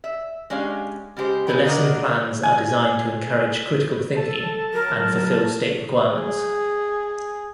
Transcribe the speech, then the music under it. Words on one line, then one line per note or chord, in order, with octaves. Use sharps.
The lesson plans are designed to encourage critical thinking and fulfill State requirements.
E5
G#3 C#4 D4 G4 F5
C#3 G#3 G4 C5
C#3 G#3 A3 D#4 B4 G5
D4 F#4 A#4 D#5
G#5
A4 A5
F#3 A#4
G#4